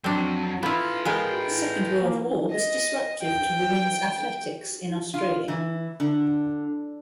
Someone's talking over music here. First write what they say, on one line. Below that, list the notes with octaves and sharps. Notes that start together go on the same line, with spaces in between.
The second World War was disruptive to women's athletics in Australia.
F2 F#3 C4 D4
B3 E4 F4 A4 B4 B5
G#3 B3 G#4 A#4 F5 G5
A#3
D#5
G5
F4
E3
D3